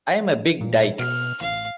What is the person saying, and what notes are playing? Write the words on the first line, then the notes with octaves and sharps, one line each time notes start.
I'm a big dyke.
A#2
B2 F6
A1 F5